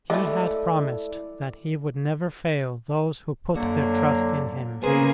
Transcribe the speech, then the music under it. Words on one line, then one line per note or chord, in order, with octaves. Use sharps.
He had promised that He would never fail those who put their trust in Him.
G#3 A3 E4 A4 D5
F#2 D3 F#3 A#3 F#4
C#3 A#3 B3 G#4 B4 C5